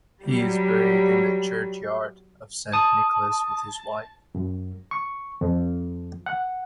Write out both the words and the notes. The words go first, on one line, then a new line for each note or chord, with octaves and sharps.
He is buried in the churchyard of St Nicholas with his wife.
F#3 G3
A5 D#6
F#2
C#6
F2
F#5